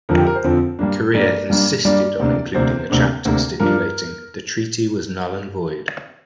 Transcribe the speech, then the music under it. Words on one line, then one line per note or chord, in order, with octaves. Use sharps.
Korea insisted on including a chapter stipulating "The treaty was null and void".
F2 D3 F3 C4 A#4
G4
A#4
C5
F2 D3 F3 C4
G2 G3 A#3 D4
G2 G3 A#3 D4 D5
G2 G3 A#3 D4
G2 G3 A#3 D4 D5
D2 C3 A#3 D4
D2 C3 A#3 D4 C5
D2 C3 A#3 D4
D2 C3 A#3 D4
G2 F3 D4 A#4